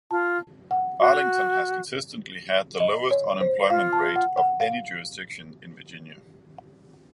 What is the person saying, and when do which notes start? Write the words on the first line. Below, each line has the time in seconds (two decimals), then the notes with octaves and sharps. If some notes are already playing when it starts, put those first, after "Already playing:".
Arlington has consistently had the lowest unemployment rate of any jurisdiction in Virginia.
0.11 F4 A5
0.71 F#5
1.01 F#4
2.80 D#5
3.11 C#5
3.41 C5
3.70 F4 F5
3.93 A5
4.16 F#5
4.38 F#5
4.60 F5